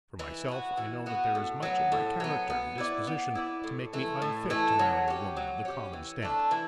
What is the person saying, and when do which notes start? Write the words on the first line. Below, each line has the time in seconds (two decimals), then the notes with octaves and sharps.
For myself I know that there is much in my character and disposition to make me unfit to marry a woman of the common stamp.
0.19 E3
0.48 B3 F#4
0.77 E3
1.06 B3 F#4
1.35 A2
1.63 F#3 B3
1.92 A2
2.20 F#3 B3
2.50 B3
2.78 E4 B4 D5
3.07 B3
3.35 E4 B4 D5
3.64 A2
3.93 E3 A3
4.22 A2
4.50 E3 A3
4.79 F#3
5.08 C#4 G4
5.37 F#3
5.65 C#4 G4
5.93 E3
6.22 A3 D4
6.51 E3